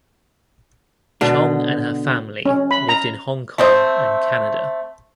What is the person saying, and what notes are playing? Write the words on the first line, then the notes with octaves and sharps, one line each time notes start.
Chong and her family lived in Hong Kong and Canada.
B2 D3
C#4
B5
A#5
A3 C4 D#5